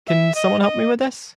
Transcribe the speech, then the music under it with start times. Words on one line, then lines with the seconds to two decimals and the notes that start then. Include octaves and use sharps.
Can someone help me with this?
0.08 E5
0.35 D#5
0.62 D#5